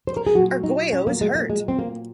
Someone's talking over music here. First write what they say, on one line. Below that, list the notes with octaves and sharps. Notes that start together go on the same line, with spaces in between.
Arguello is hurt!!
C5
A#4
G#4
A#2 F#3 F#4
D#4
C#4
A#3
G#3
A#3
G#3
C4
A#3